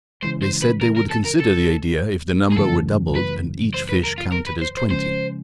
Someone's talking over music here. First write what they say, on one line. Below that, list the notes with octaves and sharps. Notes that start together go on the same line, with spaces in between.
They said they would consider the idea if the number were doubled, and each fish counted as twenty.
C#3 E3 G#3 C5
C5
B4
A#4
A#4
A4
A#4
A4
G#4
F#2 C#3 E3 A3 A4
B4
C5
B4
A#4
F4
A#4
B4
C5
C5
C#3 F3 G#3 C#4 C5